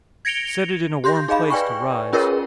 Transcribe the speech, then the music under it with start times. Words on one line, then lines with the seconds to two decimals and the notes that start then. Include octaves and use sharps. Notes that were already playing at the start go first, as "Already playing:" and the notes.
Set it in a warm place to rise.
0.25 G#6 A#6 C#7 D7 F7 G7
1.04 G4 C6 G6 A#6
1.28 D#4 G#4 D#5 F5 B5
1.50 B4 D5 G5 G#5 C#6
2.13 C#4 F4 G#4 A#4 B4 C#5